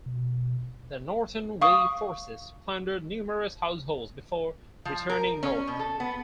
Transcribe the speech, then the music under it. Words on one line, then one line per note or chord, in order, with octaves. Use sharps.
The Northern Wei forces plundered numerous households before returning north.
B2
F5 C#6 D#6
F3
A#4
C#4
B2
A4
B3